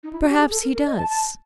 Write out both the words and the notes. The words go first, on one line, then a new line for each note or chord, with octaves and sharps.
Perhaps he does.
D#4
E4
F#4
G4
G#4
A4
A#4
A#4
D#5
A5
A5